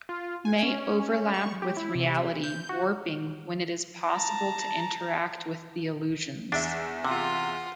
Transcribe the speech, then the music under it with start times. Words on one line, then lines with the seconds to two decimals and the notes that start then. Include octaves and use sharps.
May overlap with reality warping when it is possible to interact with the illusions.
0.09 F4
0.45 G#5
0.63 C#4
1.34 C#6
1.62 G4
1.77 E4
1.95 C3
2.44 G6
2.69 F#4
4.08 A5 A#5
6.52 E2 D4 E5
7.05 C3 F4 F#5